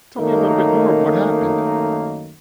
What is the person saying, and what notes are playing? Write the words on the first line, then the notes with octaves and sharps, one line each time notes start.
tell me a little bit more of what happened.
F#2 D#3 A3 A#3 D#4